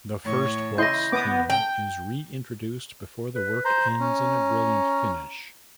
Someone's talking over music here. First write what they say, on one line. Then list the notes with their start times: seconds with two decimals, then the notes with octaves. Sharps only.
The first waltz theme is re-introduced before the work ends in a brilliant finish.
0.24 A2 C#5
0.78 C#3 E4 D#5 C6 G6 A#6
1.12 B3 D6 D#6
1.50 G5
3.35 B4
3.65 C5 A#5
4.00 C#4